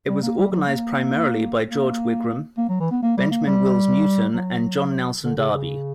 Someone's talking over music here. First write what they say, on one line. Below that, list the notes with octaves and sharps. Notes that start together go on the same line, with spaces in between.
It was organised primarily by George Wigram, Benjamin Wills Newton, and John Nelson Darby.
G3
A#3
G3
F#3
A#3
A#3
A#3
F#3
E3
B3
A#3
G3
A#3
G3
F#3
D3
C#3
C#3